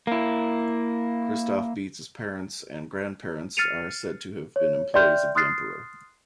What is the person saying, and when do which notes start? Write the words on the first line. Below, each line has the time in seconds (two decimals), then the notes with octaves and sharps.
Christoph Beetz' parents and grandparents are said to have been employees of the Emperor.
0.07 A#3 E4
3.57 F6 A6 C7 C#7 D#7 F7
4.56 C#5
4.94 D5 E5 G5 C6 F6 G6
5.35 C6 D#6 F6 F#6 A6 C7